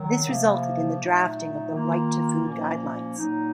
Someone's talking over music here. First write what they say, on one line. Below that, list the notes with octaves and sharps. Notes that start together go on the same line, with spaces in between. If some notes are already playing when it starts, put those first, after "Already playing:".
This resulted in the drafting of the Right to Food Guidelines.
Already playing: D#3 F#3
C3 F3 A#3
A#2 F#3 A3 D#4
D#3 A#3 F4
A#2 F3 A#3 C#4
A#2 F#3 A#3 D#4